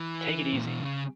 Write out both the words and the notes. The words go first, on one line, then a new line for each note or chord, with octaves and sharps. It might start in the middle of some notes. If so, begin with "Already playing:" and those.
Take it easy!
Already playing: E3
A#2
B2
C#3